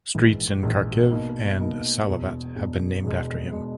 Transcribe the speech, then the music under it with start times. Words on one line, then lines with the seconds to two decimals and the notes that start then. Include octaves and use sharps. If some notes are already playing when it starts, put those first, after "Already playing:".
Streets in Kharkiv and Salavat have been named after him.
0.14 A#1 G#2 E3
0.63 A#1 G#2 E3
1.11 B2 A#3 D#4
1.59 B2 A#3 D#4
2.07 E1 E2 B2
2.56 E1 E2 B2
3.04 E1 E2 B2 G#3
3.52 B2 G#3